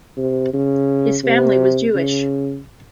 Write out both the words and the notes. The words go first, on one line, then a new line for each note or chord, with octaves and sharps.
His family was Jewish.
C3
C#3
C3
C#3